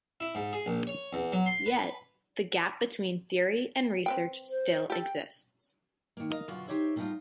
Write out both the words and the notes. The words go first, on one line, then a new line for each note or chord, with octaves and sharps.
Yet, the gap between theory and research still exists.
E4
G#2
G#4
A#1
C#5
E2
F#3
C6
B4
C4 B4 G5
C5
G4 A4
G5
D#3 A#3
A#4 D#5 F5
F#2 B2 D3 F4 F#4
D#4 G4 C5 C#5 E5
G3 A3 B3 D4 D#4 F4